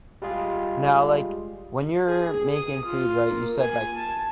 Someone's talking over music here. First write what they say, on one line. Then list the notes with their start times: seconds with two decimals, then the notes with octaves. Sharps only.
Now, like, when you're making food right, you said like
0.22 G3 G#3 F4 G#4
2.07 G#4
2.52 D#6
2.85 F4
3.27 A#3
3.60 G#5
3.96 A5